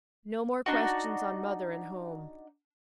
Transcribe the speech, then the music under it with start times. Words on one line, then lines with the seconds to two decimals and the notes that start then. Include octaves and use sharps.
No more questions on mother and home!
0.66 D4 D#4 F#4